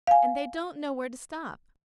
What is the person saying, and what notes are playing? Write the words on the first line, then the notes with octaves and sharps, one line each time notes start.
And they don't know where to stop.
F5 G#5